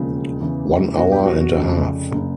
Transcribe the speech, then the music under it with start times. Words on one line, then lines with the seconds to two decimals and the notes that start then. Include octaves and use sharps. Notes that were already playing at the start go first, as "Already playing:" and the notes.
One hour and a half.
Already playing: E1 D#2 C#3 F3
0.40 E2 C#3 E3
0.97 E2 B2 F#3 F#4
1.12 G4
1.26 F#4
1.40 F#4
1.54 F1 F2 C#3
2.11 F#1 C#3